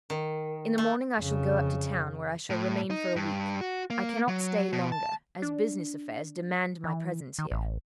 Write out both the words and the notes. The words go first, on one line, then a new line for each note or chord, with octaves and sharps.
In the morning I shall go up to town, where I shall remain for a week--I cannot stay longer, as business affairs demand my presence here.
D#3
A3
F2 C#3
A2
D#4
G2
F#4
A#3
F#3
B2
A5
D4
E3
D#3
A1